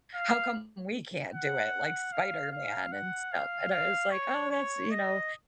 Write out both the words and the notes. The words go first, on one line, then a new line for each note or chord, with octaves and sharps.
"How come we can't do it like Spider-Man and stuff?" And I was like, "Oh, that's, you know
F5
F#5
F5
F5
F#5
F5
F5
C#5
C#5
D#5